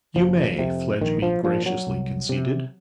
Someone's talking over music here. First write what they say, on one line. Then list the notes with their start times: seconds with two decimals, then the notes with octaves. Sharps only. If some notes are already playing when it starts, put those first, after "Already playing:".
'You may,' Fledgeby graciously conceded.
0.16 F#1 F3
0.59 F2 C3
1.01 A#1 D#3
1.22 F3
1.44 A#2 F3
1.66 F#3
1.87 C2
2.29 C3